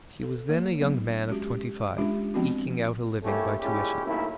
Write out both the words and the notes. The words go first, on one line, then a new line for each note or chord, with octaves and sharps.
He was then a young man of twenty-five, eking out a living by tuition.
A4
A#3 C#5
F#3 B3 D4
G#3 C#4 F#4 G4
G#3 C#4 D4 F4 G4
F3 B3 C4 D4 F#4
G3 A3 A#3 C#4 E4 G4
A#2 G#3 C#4 D4 E4 G4
B1 D#3 A3 A#3 E4